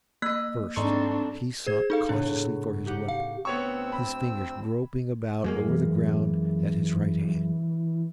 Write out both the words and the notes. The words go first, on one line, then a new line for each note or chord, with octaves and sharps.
First he sought cautiously for his weapon, his fingers groping about over the ground at his right hand.
A#3 D#5 B5 F#6
G#2 G3 C4 D4 D#4 A4 C6 C#6
G#4 C5 G#6
D#4 A4 F5 C#6
A2 C#3 B3 D4
D#4 G4 F#5
F5
D2 B3 C4 C#5 C#6 E6
B5
F#2 G#3 A#3
E3